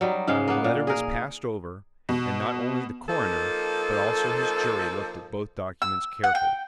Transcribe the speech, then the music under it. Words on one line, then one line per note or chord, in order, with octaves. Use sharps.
The letter was passed over and not only the coroner, but also his jury, looked at both documents carefully.
F#3 G3 D#4
G#2 C#3 G#3 F5
A#3 B3
A#2
G#4 A#4
B2
F3 A#3 D#4 A4
E6
F#5
G5